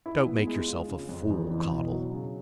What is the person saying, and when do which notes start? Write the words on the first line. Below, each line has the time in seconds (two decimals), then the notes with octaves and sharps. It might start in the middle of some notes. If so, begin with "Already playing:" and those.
"Don't make yourself a fool, Caudle."
0.06 E4
0.26 B3
0.47 G#3
0.68 F4
0.88 C#3
1.09 F2
1.30 E2
1.50 E3
1.71 B2
1.92 F#3
2.13 C#3